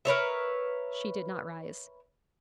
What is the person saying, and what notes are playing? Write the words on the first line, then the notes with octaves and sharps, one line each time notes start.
She did not rise.
A#4 B4 C#5 E5